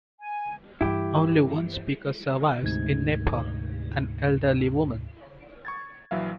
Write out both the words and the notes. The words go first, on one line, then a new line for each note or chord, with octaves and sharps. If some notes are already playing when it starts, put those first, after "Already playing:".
Only one speaker survives in Nepal, an elderly woman.
G#5
G2 E3 E4 G4
D2 G#2 C3 G#6
C#6 G#6 A6
A#1 E3 F#3 E5 F5